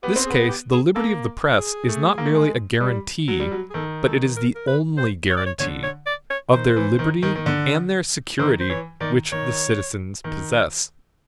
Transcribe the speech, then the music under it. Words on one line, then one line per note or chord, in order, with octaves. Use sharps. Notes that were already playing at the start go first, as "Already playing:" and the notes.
In this case the liberty of the press is not merely a guarantee, but it is the only guarantee, of their liberty and their security which the citizens possess.
B3 G4
C4
G#4
B3
G#4
G4
G#4
A#3 A4
G#4
A3
A#3
A3
G#3
G3
F#3
G3
F#3
G#4
D#3 A4
A4
A#4
A#4
B4
C5
C#5
D5
C#5
D3 C#5
C#5
D5
C#5
D#3 C5
E3
D#3
D#3
D#3
D3
D#3 C5
C5
E3 C#5
D#3 D5
D#3 C#5
D#3